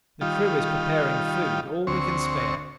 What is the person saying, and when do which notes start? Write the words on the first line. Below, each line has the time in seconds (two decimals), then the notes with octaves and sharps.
The crew is preparing food, all we can spare.
0.21 D#3 G3 F4
1.87 D2 C4 C#6